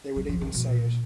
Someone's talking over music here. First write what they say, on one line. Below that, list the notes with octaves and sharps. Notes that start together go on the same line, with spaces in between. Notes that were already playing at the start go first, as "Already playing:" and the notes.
They would even say it.
F#3
F3
D#3
B2
A#2